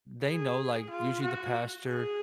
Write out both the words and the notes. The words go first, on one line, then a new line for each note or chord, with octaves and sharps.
they know, like usually the pastor
G#4
F4
F#4
G#4